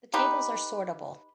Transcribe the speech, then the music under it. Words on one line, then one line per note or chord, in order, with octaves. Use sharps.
The tables are sortable.
D#4 G4 B4